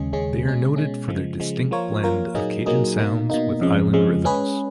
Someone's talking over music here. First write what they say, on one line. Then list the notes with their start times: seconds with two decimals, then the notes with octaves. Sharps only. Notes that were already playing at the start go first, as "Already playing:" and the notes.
They are noted for their distinct blend of Cajun sounds with island rhythms.
Already playing: D#2 C#3 G#3 C#4 G#4
0.13 D#2 C#3 G#3 C#4 G#4
0.45 B2 G#3 C#4
0.76 B2 G#3 C#4
1.08 C#3 F3 G#3
1.40 C#3 F3 G#3
1.71 F3 A#3 F4 A#4 C#5
2.03 F3 A#3 F4 A#4 C#5
2.35 A#2 F#3 A#3 D#4 G#4
2.66 A#2 F#3 A#3 D#4 G#4
2.98 B2 A#3 D#4
3.30 B2 A#3 D#4
3.61 F2 C#3 F3 G#3
3.93 F2 C#3 F3 G#3
4.24 G#3 C#4 G#4 B4